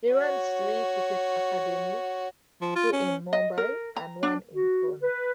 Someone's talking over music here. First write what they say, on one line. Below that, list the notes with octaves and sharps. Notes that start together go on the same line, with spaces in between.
He runs three cricket academies, two in Mumbai and one in Pune.
F#4 C#5
F3
F4
C#4
D#5
A#4
A#5
D4
F#4
B4